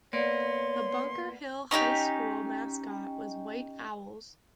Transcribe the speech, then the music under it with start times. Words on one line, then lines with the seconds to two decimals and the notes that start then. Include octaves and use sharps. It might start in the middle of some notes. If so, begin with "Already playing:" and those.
The Bunker Hill High School mascot was White Owls.
0.13 A#3 B3 C#5 D5 C6
1.71 C#4 D#4 F#4 G4